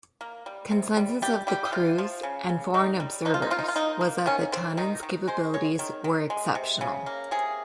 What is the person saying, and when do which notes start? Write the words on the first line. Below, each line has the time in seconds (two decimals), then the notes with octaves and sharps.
Consensus of the crews and foreign observers was that the Tunnan's capabilities were exceptional.
0.21 A#3
0.46 G3
0.71 C3
0.97 G3
1.22 G3 G4
1.47 G3 G4
1.65 G4
1.72 C3 F4
1.98 F3
2.23 C#3
2.49 C#3
2.74 D#3 D#4
3.00 G3
3.25 F3 D#4
3.34 F4
3.42 D#4
3.50 A#3 F4
3.59 D#4
3.68 F4
3.76 A#3 D#4
4.01 A#3
4.26 D#3 C#4
4.52 D#3 C4
4.77 D#3 D#4
5.03 D#3
5.28 G#3 C5
5.54 G#3 C#5
5.79 D#3
6.04 D#3
6.30 G#3
6.55 C3
6.81 C#3
7.06 A#3
7.31 C3 G#4